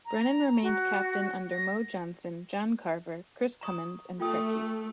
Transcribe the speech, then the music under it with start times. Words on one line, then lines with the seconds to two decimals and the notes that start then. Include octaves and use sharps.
Brennan remained captain under Mo Johnston, John Carver, Chris Cummins and Preki.
0.06 A#5
0.62 F#4
1.51 A#6
3.61 A#5 C#6 D#6
4.20 A3 F4 G5 D#6